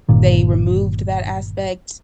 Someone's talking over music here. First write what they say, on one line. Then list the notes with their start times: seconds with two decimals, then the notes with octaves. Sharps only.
they removed that aspect
0.09 G1 A#2 D#3